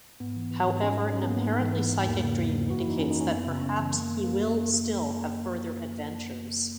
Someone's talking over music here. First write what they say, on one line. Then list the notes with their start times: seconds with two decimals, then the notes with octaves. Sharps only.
However an apparently psychic dream indicates that perhaps he will still have further adventures.
0.20 G#2 B3
0.36 E3
0.51 E3
0.66 G#2
0.82 G#2 C#4
0.98 F#3
1.14 F#3 C#4
1.22 B3
1.29 G#2 A#3
1.37 B3
1.45 G#2
1.60 E3
1.76 E3
1.92 G#2
2.06 E2 A#3
2.23 C#3
2.37 E2
2.53 F#3
2.69 F#2 F#4
2.80 E3 E4
2.90 D#4
2.99 E3 C#4
3.10 D#4
3.15 F#2
3.20 C#4
3.31 F#2 B3
3.47 C#3
3.61 F#2 C#4
3.77 E3
3.93 F#2 A#3
4.08 D#3
4.24 F#2 A#3